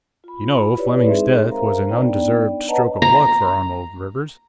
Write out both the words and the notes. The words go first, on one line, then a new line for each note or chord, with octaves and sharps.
You know, Fleming's death was an undeserved stroke of luck for Arnold Rivers.
F4 B5
E4 G4 B4 C#5 D5
G#3 C4 D#4 G#4 E5
A#4 C5 F5 A#5
B3 D4 D#4 D5 G5
B4 C#5 D#5 F#5 A5 A#5
A#5